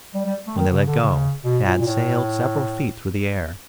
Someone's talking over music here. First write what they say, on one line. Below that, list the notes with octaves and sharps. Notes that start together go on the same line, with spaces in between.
When they let go, Tad sailed several feet through the air.
G3
G3
A3
D#3
C#3
D3
C#3
B2
A#2
A#2
A2